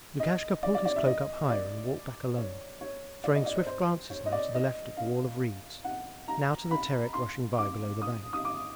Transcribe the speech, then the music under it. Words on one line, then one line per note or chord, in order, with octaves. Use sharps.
Lukashka pulled his cloak up higher and walked back alone, throwing swift glances now to the left at the wall of reeds, now to the Terek rushing by below the bank.
D#5
D5
D5
D5
E5
D#5
D5
C#5
C#5
D5
D#5
D5
C5
C5
C#5
D#5
D5
D#5
F5
F#5
A#5
B5
C6
D6
D#6
D#6
D6